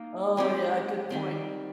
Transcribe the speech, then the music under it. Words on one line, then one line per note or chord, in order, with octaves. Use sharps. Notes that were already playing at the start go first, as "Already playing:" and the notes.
Oh, yeah. Good point.
Already playing: A#3 D#4
G#3 C4 G4
D#3 G3 C4